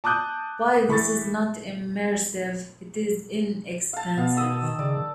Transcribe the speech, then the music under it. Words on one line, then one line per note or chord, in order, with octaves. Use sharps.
While this is not immersive, it is inexpensive.
A5 D6 D#6 F#6 G6
E3 B5 C#6 A6
F5 A5
B2 B3 F5
D#6 E6
D#3
C#3 D5
D#3